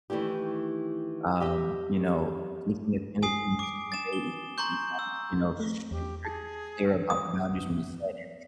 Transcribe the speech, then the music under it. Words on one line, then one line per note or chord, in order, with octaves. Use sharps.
um, you know, taking advantage in some way if you aren't, you know, sh strictly clear about the boundaries you've set and
D#3 E3 A3 E4 G4
G4 D#5 E5
G#5 D#6 C7
D6 D7
A6 E7
G7
A#5 C6 C#6 G6
E6
A3
E2 G4
G#4 A5
D#6